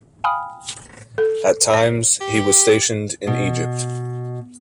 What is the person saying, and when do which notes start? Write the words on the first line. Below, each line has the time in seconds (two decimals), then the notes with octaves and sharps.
At times, he was stationed in Egypt.
0.24 F5 G5 G#5 B5 D#6 F6
1.18 A4
1.74 C#5
2.21 G4
3.27 B2